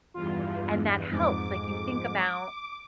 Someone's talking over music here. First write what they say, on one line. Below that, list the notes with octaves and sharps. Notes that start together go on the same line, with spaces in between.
and that helps. Like you think about
E2 G2 F4
F2 G#2 D6